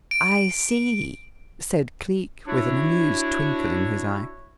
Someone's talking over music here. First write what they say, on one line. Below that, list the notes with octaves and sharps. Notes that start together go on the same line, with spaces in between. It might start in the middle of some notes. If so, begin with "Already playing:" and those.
"I see," said Cleek, with an amused twinkle in his eye.
D7
D4 E4 F#4 C#5